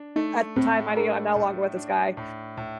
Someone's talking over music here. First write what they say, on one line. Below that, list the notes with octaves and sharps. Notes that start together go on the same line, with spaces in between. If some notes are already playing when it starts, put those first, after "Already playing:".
at the time, minding you, I'm no longer with this guy,
Already playing: D4
A3 D#4
A2 C4
D4 A#4
A2
D4
A2
A2